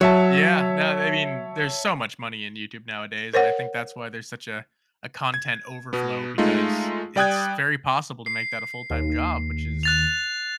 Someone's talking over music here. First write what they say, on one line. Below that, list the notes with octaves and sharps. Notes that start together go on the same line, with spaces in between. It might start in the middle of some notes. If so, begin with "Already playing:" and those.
Yeah, no, th I mean, there's so much money in YouTube nowadays, and I think that's why there's such a a content overflow, because it's very possible to make that a full-time job, which is
F#3 C#5 E5 A5
A#4 C5 C#5 F#5
G#6
B2 B3
G#3 A3 D#4 F4
G3 D5 G5 D#6 F#6 G#6
C7
D#2
F#6 A6 F7